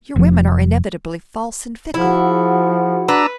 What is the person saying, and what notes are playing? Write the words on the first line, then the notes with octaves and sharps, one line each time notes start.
Your women are inevitably false and fickle.
F1 F3
F3 E4 F#4 G#4 F#5
D4 B4 A#5 E6